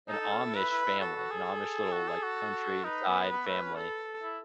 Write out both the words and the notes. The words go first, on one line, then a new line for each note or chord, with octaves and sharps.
an Amish family, an Amish little, like, countryside family,
D#4 A4
D#4
C#4
E4
E4 B4
E4
E4
F#4 A4
F#4
G#4
F#4
G#4
F#4
D#4 B4
B3
B3
A3
C#4
A4
E4